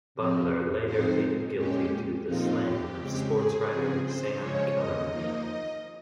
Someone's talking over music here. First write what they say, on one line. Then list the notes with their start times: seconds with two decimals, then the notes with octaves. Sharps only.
Butler later pleaded guilty to the slaying of sportswriter Sam Kellerman.
0.15 C3 F3 C4
0.85 F3 G#3 C4 D#4 C5
1.56 A#2 G#3 C#4 G4
2.26 A#2 F3 C4 D#4 F4
2.63 G4
2.97 C#3 G#3 C4
3.33 G#4
3.68 C#3 F3 C4
4.03 C5
4.38 C#3 F3 G#3 C#4 C#5
4.74 D#5
5.10 F3 A#3 D#4